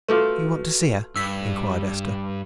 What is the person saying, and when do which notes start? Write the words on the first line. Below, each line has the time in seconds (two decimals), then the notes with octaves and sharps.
"You want to see her?" inquired Esther.
0.08 A3 F4 F#4 A4 B4
1.16 G2 E6 B6